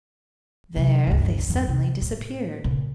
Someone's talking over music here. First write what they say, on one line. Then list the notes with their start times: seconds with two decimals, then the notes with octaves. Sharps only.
There they suddenly disappeared.
0.76 C3 F#3
1.07 G1 D2
1.48 E2 G2
1.67 C3 D#3
2.02 A2
2.64 A#2 C#3